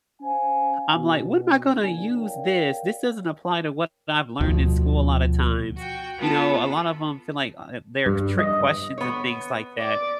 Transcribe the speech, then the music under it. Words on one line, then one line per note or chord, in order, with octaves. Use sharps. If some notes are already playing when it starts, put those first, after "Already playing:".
I'm like, "When am I gonna use this? This doesn't apply to what I've learned in school a lot of times." You know, a lot of 'em feel like, uh, they're trick questions and things like that,
C#4 C5 F5 G#5
B2
F#1 A#2 D4 G#5
A#4 C#5 D5 F5 G5
D2 B2 F3
F#4 G5
B3 F4 A4 B4
G2
D#5
B3 C#5
D5